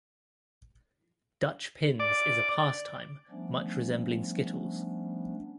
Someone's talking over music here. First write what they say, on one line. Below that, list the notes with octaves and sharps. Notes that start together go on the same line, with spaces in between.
Dutch-pins is a pastime much resembling skittles.
D5
F3 G3 A3 B3 C#4 D4